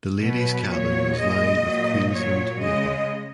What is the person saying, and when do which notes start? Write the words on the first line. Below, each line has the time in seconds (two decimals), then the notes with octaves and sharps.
The ladies cabin was lined with Queensland maple.
0.20 B2 F#3 B4
0.68 A#2 F#3 C#5
1.16 A#2 G#3 D#5
1.64 A#2 F#3
2.12 A#2 F#3 C#5
2.59 C#3 G#3 D#5